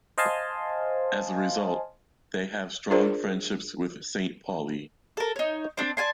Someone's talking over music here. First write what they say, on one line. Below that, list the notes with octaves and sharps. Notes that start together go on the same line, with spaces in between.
As a result, they have strong friendships with Saint Pauli.
C5 D#5 F5 G#5 A5 C6
D4 F4 G#4 A#4 C5 D5
A4 A#4
D#4 C#5
C4 D4
D5 G#5 A5 C6